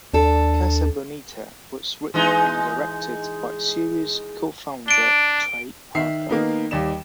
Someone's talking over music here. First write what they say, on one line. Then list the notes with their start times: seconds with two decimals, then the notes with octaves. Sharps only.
"Casa Bonita" was written and directed by series co-founder Trey Parker.
0.13 D#2 D4 A4
2.14 E3 G#3 D#4
4.88 D4 D7 G7
5.95 D#3 E5 C7
6.29 D#3 A#3 B3 D#4
6.71 D#2 G3 E7